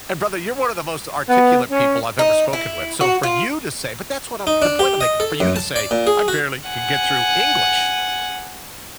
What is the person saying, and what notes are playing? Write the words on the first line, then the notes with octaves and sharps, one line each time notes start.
And brother, you're one of the most articulate people I've ever spoken with, so for you to say but that's what I'm the point I'm making, for you to say, "I barely can get through English."
B3
C#4
D#4
E4
F#4
F4
D#4
D4
G4
D#5
A4
F#2
A5
D5
A#2
G#4
F#4
F#5 G#5